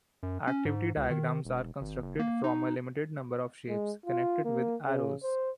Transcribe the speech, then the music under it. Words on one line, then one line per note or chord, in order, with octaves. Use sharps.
Activity diagrams are constructed from a limited number of shapes, connected with arrows.
F#2
C#4
G#2
C#2
D#3
E1
G#1
F#1
A#3
D#4
G#3
F4
A#3
C#3
C5